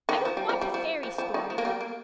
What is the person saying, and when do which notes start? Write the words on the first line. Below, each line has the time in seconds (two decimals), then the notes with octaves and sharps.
I don't want a fairy story.
0.09 D#3
0.25 F3
0.37 G3
0.49 F3
0.61 G3
0.74 F3
1.03 F3
1.18 F3
1.34 D#3
1.50 F3
1.58 A#3
1.65 G3
1.81 A#3